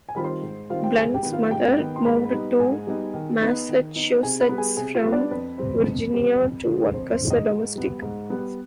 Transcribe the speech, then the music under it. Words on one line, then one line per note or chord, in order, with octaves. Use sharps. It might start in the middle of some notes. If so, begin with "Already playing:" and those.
Blunt's mother moved to Massachusetts from Virginia to work as a domestic.
G#5
D#3 G3 C4 F4 B5
C5 C6
G#2
D#3 G3 C4 F4 F5
G5
G#2 G#4 G#5
G4 G5
D#3 B3
F4 F5
G#2 G4 G5
D#3 B3
C6
G#2 B4 B5
G3 B3 D#4
G#2 G#4 G#5
G3 B3 D#4
D#3
B3 D#4
D#3
B3 D#4
C3 G#4 G#5
B4 B5
G3 B3
G#4 G#5
C3 G#4 G#5
F4 F5
G3 B3
D4 D5
F2 B4
C3 G3 C4
F2
C3 G3 C4
F2
D3 G#3
F2 C5
C5
D3 G#3
D#4 D#5
G#2
G3 B3
G#2
G3 B3